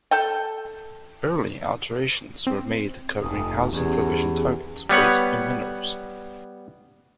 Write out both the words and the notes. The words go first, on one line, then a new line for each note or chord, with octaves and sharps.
Early alterations were made covering housing provision targets, waste and minerals.
A4 G5
C4
F1 D#6
E2 C#4 G4 G#4
G3 B3 C#5 F#5